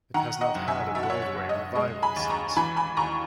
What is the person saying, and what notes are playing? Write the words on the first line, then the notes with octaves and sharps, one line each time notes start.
It has not had a Broadway revival since.
D#3 F#5 A#5
D#5 F#5
F#1
E5 G#5
B2 E5
F#5
C#5 E5
C#5
F#1
D#5
G#3 D#5
G#5 B5
D#2
A#5 C#6
E3 G#5 B5
G#5 B5
D#2 A#5 C#6